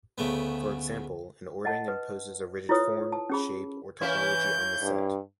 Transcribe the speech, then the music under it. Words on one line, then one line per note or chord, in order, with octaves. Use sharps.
For example, an ordering imposes a rigid form, shape, or topology on the set.
D2 C#3 A3 B3
D#5 F#5 A5
B4
E4 F4 A4 B4 C#5 D#6
A5
C#4 G#4 B5
E3 A#3 C#4 E4 G6
G2